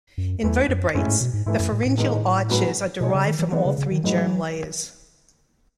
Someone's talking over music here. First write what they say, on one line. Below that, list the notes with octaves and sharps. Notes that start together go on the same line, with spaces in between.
In vertebrates, the pharyngeal arches are derived from all three germ layers.
F#2
E2 E3 A3 E4
F#2
F#2 A2 G#3 C#4 E4
G#2
B2
G#2
G#2 E3 A3 E4
F#2
A2
A2
G#2 D#3 G#3 B3 D#4
G#2 F#3 B3 F#4 B4
B2 G#3 D#4 G#4 C#5
C#3
D#3
E3
E3 G#3 B3 D#4
C#3
C#3
D#3
A2 F#3 G#3 D#4 F#4 B4